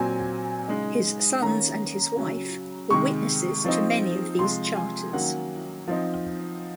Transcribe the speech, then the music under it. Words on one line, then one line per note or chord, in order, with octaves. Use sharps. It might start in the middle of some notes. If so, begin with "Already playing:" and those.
His sons and his wife were witnesses to many of these charters.
Already playing: A#2 F#3 C4 G#5
C#3 G#3 D#4
D#3 A#3 C#4 A#5
C#3 F#3 C#4
C3 D#3 G#3 C#6
F3 C4 D#4
C3 F3 G#3 C6
G#5
D#3 F#3 A#3 C#4 F#5
F3 C4 D#4